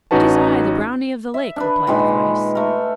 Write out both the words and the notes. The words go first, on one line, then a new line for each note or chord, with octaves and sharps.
'It is I, the brownie of the lake,' replied the voice.
A1 C#4 D#4 F#4 B4 A5
E5
D4 B4
A#2 D#3 G#3 B4
A3 A#4